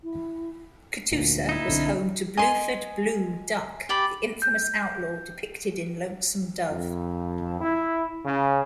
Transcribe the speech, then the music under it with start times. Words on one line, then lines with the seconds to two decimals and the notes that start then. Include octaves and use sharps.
Catoosa was home to Bluford "Blue" Duck, the infamous outlaw depicted in "Lonesome Dove".
0.03 E4
1.12 D2 A#2
1.49 D#4 E4
1.68 B1 D3 C4
2.37 D#5 G#5 C6
3.89 G4 D5 B5
4.42 G6
6.69 F2
7.61 E4
8.26 C#3